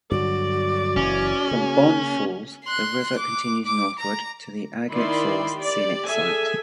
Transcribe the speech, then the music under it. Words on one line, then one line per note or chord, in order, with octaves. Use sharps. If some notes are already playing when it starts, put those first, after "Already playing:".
From Bond Falls, the river continues northward to the Agate Falls Scenic Site.
G2 D3 F#3 F#4 D5
F#1 E3 C#4
C#3 A#3
C6 F#6
D6
D6
A#5
D#3 E4 D5 B5 C6
G4 D5
G#4 A4 E5 G#5